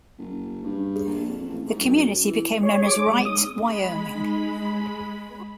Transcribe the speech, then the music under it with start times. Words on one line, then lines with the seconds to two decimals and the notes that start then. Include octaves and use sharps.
The community became known as Wright, Wyoming.
0.19 F#1
0.64 G2
1.06 A#1
1.28 F2
1.49 A1
1.67 G#2
1.80 F#2
2.24 E3
2.63 C#5
2.87 D6
3.07 G#3
3.25 D#6
3.63 G#3 B5